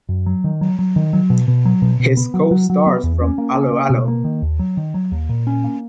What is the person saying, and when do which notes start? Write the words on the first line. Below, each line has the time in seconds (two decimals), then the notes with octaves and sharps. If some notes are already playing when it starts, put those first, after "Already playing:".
His co-stars from 'Allo 'Allo!
0.09 F#2
0.26 F#3
0.44 D#3
0.61 F#3
0.79 F#3
0.96 D#3
1.13 F#3
1.30 B2
1.48 B2
1.65 F#3
1.82 B2
2.00 B2
2.17 B3
2.34 F#3
2.51 F#3
2.70 F#3
2.87 B3
3.04 E2
3.21 C#4
3.38 A#3
3.55 C#4
3.72 A#3
3.90 B2
4.08 A#3
4.24 D#3
4.42 D#2
4.59 F#3
4.77 D#3
4.94 F#3
5.12 D#2
5.29 A#2
5.47 C#4
5.64 A#3